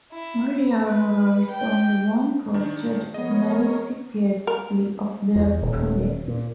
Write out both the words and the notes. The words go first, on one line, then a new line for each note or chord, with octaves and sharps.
Maria Aurora is the only non-coastal municipality of the province.
E4
B4
G5
D#3 D4
F3 B3 G#4 A#4 C#5 D#5
A#4
E2
D#1
A#2